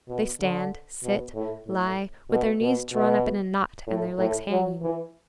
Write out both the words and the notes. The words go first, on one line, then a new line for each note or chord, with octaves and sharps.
They stand, sit, lie, with their knees drawn up in a knot, and their legs hanging.
B2
D3
B2
A2
A2
B2
B2
B2
A2
A2
F#3
E3